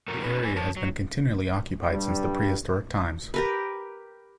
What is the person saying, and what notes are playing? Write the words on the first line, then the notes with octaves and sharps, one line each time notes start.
The area has been continually occupied since the prehistoric times.
F2 A2 A3 F#4 A#4
B3 C#4 D#4 G#4 B4
A2 B4 G5 G#5
F3 C#5 A5
F#3
G2 G3
G4 A#4 B4